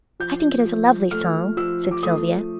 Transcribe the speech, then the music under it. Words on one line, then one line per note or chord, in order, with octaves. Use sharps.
"I think it is a lovely song," said Sylvia.
F3 G6
F3
A3 F6
F3 E6
D6
A3 D#6